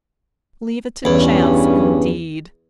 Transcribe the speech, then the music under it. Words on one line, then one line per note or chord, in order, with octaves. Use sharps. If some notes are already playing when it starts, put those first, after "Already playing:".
Leave it to chance indeed!
E2 G2 C#4